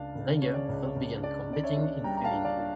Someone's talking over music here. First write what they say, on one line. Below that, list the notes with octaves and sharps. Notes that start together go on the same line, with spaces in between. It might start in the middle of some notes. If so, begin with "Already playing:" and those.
Zeiger first began competing in swimming.
Already playing: C#2 D4 F5 A5
C#2
C#3 C#5
D5
C#2 C#5
C#5
C#2
D4 D5
C#3 D5
C#5 E5
D4
G3 G5 A#5
A#5
F5 A5
D4
D5 F5
D4